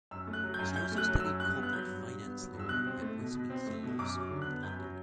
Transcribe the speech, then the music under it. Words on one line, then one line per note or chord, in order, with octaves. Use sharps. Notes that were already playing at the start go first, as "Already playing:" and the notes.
She also studied Corporate Finance Law at Westminster Law School in London.
F#2 E6
A3
F#6
F#3
G6
F#2
F#2 G6
A3
F#6
F#3
E6
F#2
G2 F#6
B3
F#6
F#3 G6
G2
G2
B3
F#3
G2
E6
B2 F#6
C4
A3
B2
B2
C4
A3
B2
F#2 D6
F#3
D6
D3
F#6
B3
F#2 G6
F#3